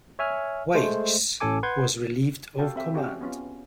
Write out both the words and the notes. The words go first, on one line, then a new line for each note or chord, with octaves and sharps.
Weichs was relieved of command.
C#5 E5 G#5 F6
G#3 A3 C5
A1 A2 C#4 A4 G#5 D6
B4 F#5 C6 G6 G#6
F#4 G4 A4 F5 G5 A5
C4 E5 G5
C4 C#4 F#4 G4 D#5 G5
B3 C#4 F4